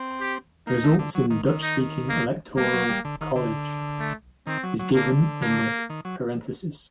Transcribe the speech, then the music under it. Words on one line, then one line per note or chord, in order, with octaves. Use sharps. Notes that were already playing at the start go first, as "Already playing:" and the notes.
Results in the Dutch-speaking electoral college is given in the parenthesis.
Already playing: C4
G4
A#3 D#4
A3
D3
F#3
D#3
D#3
D#4
A#3
G3 A#3
F#3
G3
D3
D#3
D3
A3
D#3 C4
F#3
F#3
D3 A#3
A#3
D#3
F#3